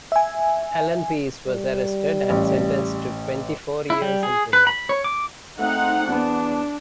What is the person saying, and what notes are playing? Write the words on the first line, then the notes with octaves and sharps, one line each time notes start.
Allen Pace was arrested and sentenced to twenty-four years in prison.
E5 G#5
G3
A1
E4
G3
G#4
B4
B5
C#5
D6
A3 C4 D#4 F#5
E2 B3 D4